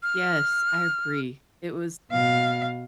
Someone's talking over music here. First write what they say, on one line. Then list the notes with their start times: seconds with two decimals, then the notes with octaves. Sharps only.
Yes, I agree. It was m
0.03 F6
2.11 B2 F5